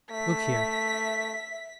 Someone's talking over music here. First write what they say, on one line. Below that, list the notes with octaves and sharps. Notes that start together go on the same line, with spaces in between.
Look here!'
A3 E5 B6